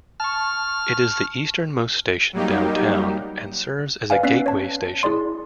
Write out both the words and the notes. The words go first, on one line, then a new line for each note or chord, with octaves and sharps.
It is the easternmost station downtown, and serves as a Gateway station.
A5 C#6 F6
F#3 G3 A#3 D#4 G4
B4 D5 E5 F5 G#5
B3 C#4 D5 F#6 B6 C7
C#5 A5
E4 G#4 D5 C6